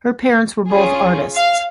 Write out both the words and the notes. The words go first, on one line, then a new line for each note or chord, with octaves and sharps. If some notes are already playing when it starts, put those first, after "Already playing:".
Her parents were both artists.
C#4 F4 G#4
F5